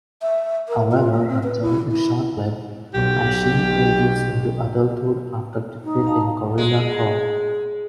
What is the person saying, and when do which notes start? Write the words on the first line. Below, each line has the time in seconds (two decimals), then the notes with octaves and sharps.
However her joy is short-lived, as she ages into adulthood after defeating Gorilla Grodd.
0.22 E5
0.69 A#4
0.91 F4
1.14 A#3
1.29 C4
1.43 B4
1.61 E4
1.91 E4
2.94 B1 G4
5.83 D#4
6.07 F5 A5 A#5
6.58 G#3